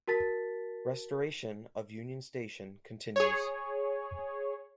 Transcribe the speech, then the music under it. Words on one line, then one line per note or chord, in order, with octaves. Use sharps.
Restoration of Union Station continues.
F#4 A#4 A5 A6 B6
G#4 C#5